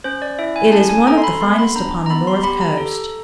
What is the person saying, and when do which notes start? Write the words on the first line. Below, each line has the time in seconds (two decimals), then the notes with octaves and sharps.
It is one of the finest upon the north coast.
0.04 C#4 C5
0.22 D5
0.39 E4 E5
0.56 G#5
0.72 C#4 A5
0.89 G#5
1.07 A4 A#5
1.18 C6
1.24 B5
1.41 B3 C6
1.59 B5
1.76 D4 A#5
2.06 A#5
2.10 B3 B5
2.27 C6
2.43 G4 B5
2.61 A#5
2.77 A4